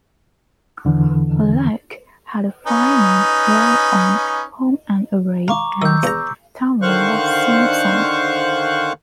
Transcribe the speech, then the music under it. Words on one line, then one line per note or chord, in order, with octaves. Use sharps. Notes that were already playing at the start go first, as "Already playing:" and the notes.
Luck had a five-month role on "Home and Away" as Tamara Simpson.
E2 D3 E3
C#4 D#4 B4
F5 A#5 C#6 D6
D#3 E6 G6
E2 A#5
D3 D#3 C5 F5 C#6 F#6